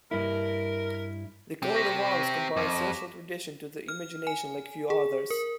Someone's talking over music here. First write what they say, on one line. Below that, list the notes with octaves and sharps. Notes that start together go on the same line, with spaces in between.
The coat of arms combines social tradition to the imagination like few others.
G2 E4 A#4
C4 G4
C#6 A#6 B6
F2 D6
F6
G#5
G#4
A#4